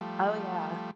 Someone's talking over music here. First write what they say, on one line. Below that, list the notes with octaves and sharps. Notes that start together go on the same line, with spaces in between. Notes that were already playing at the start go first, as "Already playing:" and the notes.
Oh, yeah.
F3 G3 A3